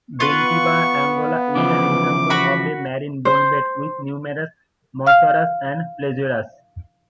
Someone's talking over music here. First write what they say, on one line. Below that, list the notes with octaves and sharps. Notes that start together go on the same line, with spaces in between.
Bentiaba, Angola, is an example of a marine bonebed with numerous mosasaurs and plesiosaurs.
B3 F4 B4 C#6
C#3 E3 F3 D6
F#4 B5
C5
F5 F6